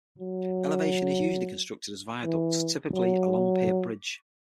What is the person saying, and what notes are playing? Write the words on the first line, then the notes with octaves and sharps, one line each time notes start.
Elevation is usually constructed as viaducts, typically a long pier bridge.
F#3
E3
F#3